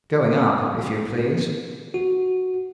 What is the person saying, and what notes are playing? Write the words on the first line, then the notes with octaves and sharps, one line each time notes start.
"Going up, if you please."
F#4